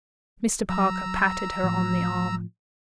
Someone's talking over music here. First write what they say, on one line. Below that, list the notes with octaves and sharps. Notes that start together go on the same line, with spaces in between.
Mr. Parker patted her on the arm.
F#3 A#5 E6
A2 F3